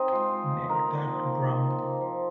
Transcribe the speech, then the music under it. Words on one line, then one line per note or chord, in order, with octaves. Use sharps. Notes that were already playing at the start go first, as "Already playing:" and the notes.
Neck dark brown.
Already playing: C4 D#4 C5 D#5
G#3 F4 F5
G#3
G#3
D#4 A#4 A#5
A#3
F3
A#3
D#4
F3
A#3
F3